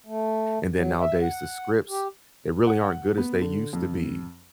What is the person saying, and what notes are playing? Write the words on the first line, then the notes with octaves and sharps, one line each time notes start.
and then nowadays the scripts, they really aren't good as they used to be.
A3
F#3
E5
F#5
G4
F#5
B3
D3
F2